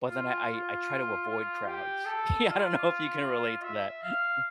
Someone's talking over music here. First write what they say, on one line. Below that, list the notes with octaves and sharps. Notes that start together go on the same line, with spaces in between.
but then I I I try to avoid crowds. Yeah, I don't know if you can relate to that.
F4
F4
F4
G4
A4
F4
E5
F5